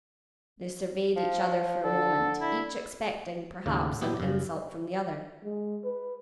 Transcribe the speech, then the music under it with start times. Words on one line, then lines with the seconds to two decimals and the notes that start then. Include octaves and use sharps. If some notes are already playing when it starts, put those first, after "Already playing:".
They surveyed each other for a moment; each expecting, perhaps, an insult from the other.
1.16 F3
1.84 D3 A4
2.41 E4
3.66 D#2 A2 C#3
4.01 A#2 F#3 B3 E4 G4
4.20 F#2 C#3
5.45 G#3
5.84 B4